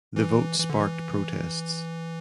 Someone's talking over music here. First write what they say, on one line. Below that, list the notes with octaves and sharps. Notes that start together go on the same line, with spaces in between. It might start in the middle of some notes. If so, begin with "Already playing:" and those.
The vote sparked protests.
E3
E3
D3
E3